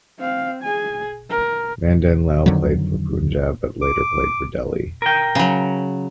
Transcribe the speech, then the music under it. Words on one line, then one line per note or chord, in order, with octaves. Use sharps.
Madan Lal played for Punjab but later played for Delhi.
C4 F5
G#4 G#5
A#4
F2 D3 D#3 F#3
D6
A#4 G5
C#3 F#3